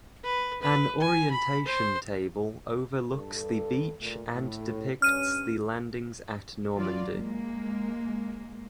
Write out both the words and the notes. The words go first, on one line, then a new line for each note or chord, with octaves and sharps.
An orientation table overlooks the beach and depicts the landings at Normandy.
B4
B4
G#5
B5
C5
G2 A4
A#2 A3
A2
G2 C#4 F6 D#7
E3 F#3 F4 D5
G#3 A#3